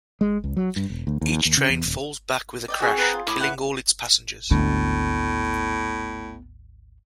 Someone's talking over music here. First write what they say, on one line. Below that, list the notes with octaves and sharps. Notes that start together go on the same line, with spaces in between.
Each train falls back with a crash, killing all its passengers.
G#3
C#2
F#3
G2
E1
D2
D#2
D#2
C#3
E2
D#1
D5 D#5 G5
C4 F#4 G#4
B4 F#5 A#5
F4
A2 B5 D6 D#6
B4 E5 F#5
G#1 D2 A2 B3